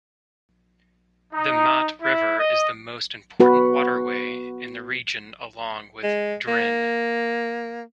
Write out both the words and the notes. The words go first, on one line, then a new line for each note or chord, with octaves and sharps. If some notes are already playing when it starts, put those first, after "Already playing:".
The Mat river is the most important waterway in the region along with Drin.
D#4
E4
D#5
B3 F#4 B4
G#3
A#3